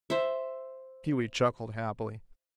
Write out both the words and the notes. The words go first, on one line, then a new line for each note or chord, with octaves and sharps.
Pewee chuckled happily.
C5 E5